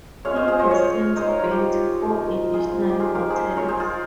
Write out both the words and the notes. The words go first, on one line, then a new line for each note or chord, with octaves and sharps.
He has since built four additional hotels.
G#3 C#4 F4 C#5 F5
C5 D#5
G#4 C5
C5 D#5
C#5 F5
G#3 D#4 C5 D#5
A#4 C#5
F4
G4
F3 G#3 C4 D#4
F4 G#4
F4
G4
G#3 D#4 F4 G#4
G4 A#4
G#4 C5
A#4 C#5
G#4 C5
F4 G#4